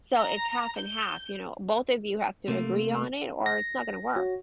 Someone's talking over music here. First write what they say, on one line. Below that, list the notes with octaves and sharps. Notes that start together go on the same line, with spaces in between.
so it's half and half, you know? Both of you have to agree on it or it's not gonna work.
A#5
G6
C3 A3 A#3
A#6
F#4 C#5